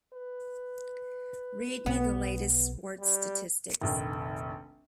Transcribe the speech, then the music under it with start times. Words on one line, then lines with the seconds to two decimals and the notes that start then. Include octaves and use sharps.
Read me the latest sports statistics.
0.13 B4
1.86 B1 B3
3.00 G3
3.81 F1 A#1 D#3